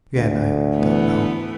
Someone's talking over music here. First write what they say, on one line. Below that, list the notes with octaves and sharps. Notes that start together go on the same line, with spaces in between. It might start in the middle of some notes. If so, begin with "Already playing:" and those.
Again I don't know.
D2
E3 A3 B3